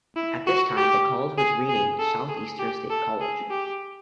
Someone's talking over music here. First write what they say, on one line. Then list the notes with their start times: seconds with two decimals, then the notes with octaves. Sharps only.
At this time, the college was renamed Southeastern State College.
0.16 E4
0.47 F#4
0.77 G4
1.38 G#4
1.69 G#4
1.99 A4
2.29 G#4
2.59 G4
2.90 A4
3.21 G#4
3.51 G4